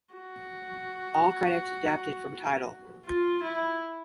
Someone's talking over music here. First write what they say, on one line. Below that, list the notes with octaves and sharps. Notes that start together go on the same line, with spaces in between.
All credits adapted from Tidal.
F#4
F4
E4